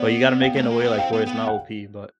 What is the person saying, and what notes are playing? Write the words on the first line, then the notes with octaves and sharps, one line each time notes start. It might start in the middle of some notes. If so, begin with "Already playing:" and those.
But you gotta make it in a way, like, where it's not OP, but
Already playing: B3 C5 D5
F5 G5
A3
A#3
B3
C4 F5 G5
B3
B3
F#5